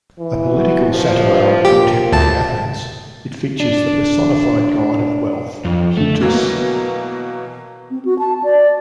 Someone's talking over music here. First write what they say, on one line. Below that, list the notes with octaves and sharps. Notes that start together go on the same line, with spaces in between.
A political satire on contemporary Athens, it features the personified god of wealth Plutus.
E3
B3 F#4
D#2 A2 F3
G2
A#2 G4
D2 C3 A5
D4
F2
A3
B2 E3 F#3 A#3
C4
F#4
A5
D5